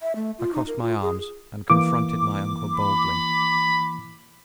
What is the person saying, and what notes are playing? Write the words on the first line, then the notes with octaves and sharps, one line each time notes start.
I crossed my arms, and confronted my uncle boldly.
E5
A3
F4
D#4
A#4
F4
G#4
E3 A#3 E4 D6
B5